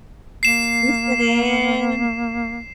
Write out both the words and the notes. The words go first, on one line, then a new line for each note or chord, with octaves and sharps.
listen in?
A#3 C7 E7